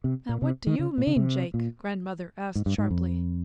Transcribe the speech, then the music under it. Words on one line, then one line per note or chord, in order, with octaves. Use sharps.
"Now what do you mean, Jake?" grandmother asked sharply.
C3
A#2
C3
D#3
C#3
A#2
C#3
C3
A#2
G#2
G2
G#2
F2